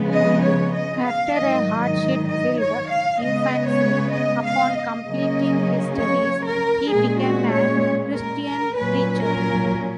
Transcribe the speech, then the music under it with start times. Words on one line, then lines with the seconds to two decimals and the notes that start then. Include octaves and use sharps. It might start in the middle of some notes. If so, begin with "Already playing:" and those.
After a hardship-filled infancy, upon completing his studies, he became a Christian preacher.
Already playing: C#3 F3 G#3 B3
0.13 D#5
0.43 C#5
0.74 D#5
1.05 F5
1.36 G#2 D#3 F#3 D#5
1.82 D#5
2.29 D#5
2.60 C#5
2.90 F5
3.21 C#3 G#3 B3 D#5
3.67 C#5
4.14 D#5
4.44 F5
4.75 D#5
5.06 C#3 F#3 A#3 C#4
5.99 C#5
6.45 A#4
6.91 A#2 G#3 C#4 G#4
7.22 F#4
7.52 C#5
8.14 A#4
8.45 A#4
8.76 A#2 F#3 C#4 B4
9.22 A#4